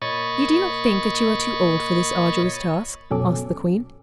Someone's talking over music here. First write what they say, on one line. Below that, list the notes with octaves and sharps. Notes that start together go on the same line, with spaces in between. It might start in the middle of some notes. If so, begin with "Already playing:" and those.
"You do not think that you are too old for this arduous task?" asked the Queen.
A#2 C#5 D#5 B5 C#6 A6
F#2 B2 C#4 A4 D6